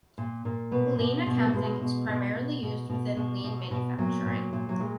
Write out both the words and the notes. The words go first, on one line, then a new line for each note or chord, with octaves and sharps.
Lean accounting is primarily used within lean manufacturing.
A#2
A#2
B2 B3
B2
B2
B3
A#3
B2 G#3
B2
B2
B2
B2
B2
B2
B2
B2
A#2 F#3
A#2
A#2
F#3
A#2 G#3